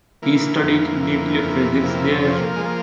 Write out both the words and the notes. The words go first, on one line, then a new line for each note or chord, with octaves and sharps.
He studied nuclear physics there.
E3 A#3
F2
E3
F2
C3 A#3
E4
C#4
F3
A#3
G#3
A#3